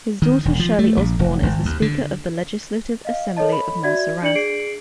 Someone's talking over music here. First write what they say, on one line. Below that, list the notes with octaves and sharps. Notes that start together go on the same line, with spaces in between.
His daughter Shirley Osborne is the Speaker of the Legislative Assembly of Montserrat.
D#3
E1
F3
A3
A#1
F1
G#1
D#2
D3
D#5 F5
A4 C#5 D#5 A5
B5
F#4 D5 E5 G#6
D4 D5 C#7 F#7
G#4 C7 D7